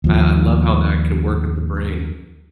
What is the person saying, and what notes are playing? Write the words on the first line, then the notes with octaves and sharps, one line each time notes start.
I I love how that can work with the brain.
D#2 F3